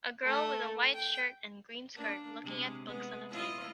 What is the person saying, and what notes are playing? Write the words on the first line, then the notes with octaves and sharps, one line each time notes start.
A girl with a white shirt and green skirt looking at books on a table.
A3
G5
A#3 D4
C3 G#3
G#3 B3
E4 F4 D#5